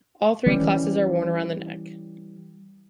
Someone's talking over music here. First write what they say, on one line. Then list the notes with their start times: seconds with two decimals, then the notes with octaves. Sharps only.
All three classes are worn around the neck.
0.46 E3 G3 C#4